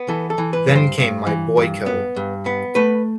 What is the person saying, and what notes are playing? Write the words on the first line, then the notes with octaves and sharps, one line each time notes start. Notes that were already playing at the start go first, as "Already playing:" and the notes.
Then came my boy code.
Already playing: B3
E3 A4
A4
E3
B4
G2
C5
G2
E3
G2
B3
G2
B3
A3 B4